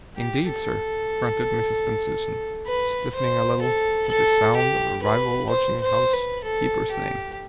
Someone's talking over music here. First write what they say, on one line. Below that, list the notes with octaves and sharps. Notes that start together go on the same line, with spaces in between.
"Indeed, sir!" grunted Mrs. Bensusan, stiffening a little at the sound of a rival lodging-house keeper's name.
G4
A4
B4
C5
A4
A4
G4
B4
C5
C5
B4
A4
G4